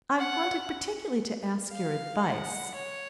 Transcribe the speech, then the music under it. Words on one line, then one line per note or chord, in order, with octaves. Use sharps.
"I wanted particularly to ask your advice."
F#5
F5
F#5
C#5